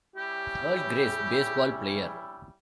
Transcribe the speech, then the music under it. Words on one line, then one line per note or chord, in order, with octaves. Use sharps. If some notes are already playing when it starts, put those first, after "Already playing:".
Earl Grace, baseball player.
G3 C#4 E4 G4